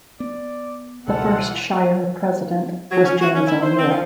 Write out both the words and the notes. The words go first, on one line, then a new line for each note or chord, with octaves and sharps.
The first Shire President was James O'Neill.
B3 D5
C#2 B2 E3 F#3 G3 F4 A4 F#5
F#3
C#4
F#4
C#4
E4
C5
C4
F3